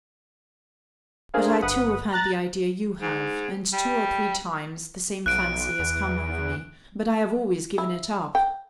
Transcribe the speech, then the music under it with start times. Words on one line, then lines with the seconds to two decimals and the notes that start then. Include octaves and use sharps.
But I too have had the idea you have, and two or three times the same fancy has come over me; but I have always given it up.
1.34 D4 G#4 A#4 C5 F5
1.62 G1 B4 F#5 D#6
2.12 A#5 F#6 A6
3.01 G#2
3.73 G3
5.26 B1 F#6 D7
5.79 E2
7.78 E4
8.35 G5